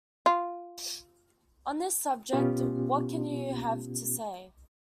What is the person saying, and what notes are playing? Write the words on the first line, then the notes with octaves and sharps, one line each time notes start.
On this subject, what can you have to say?
F4
B2 B3 C#4 F4 G4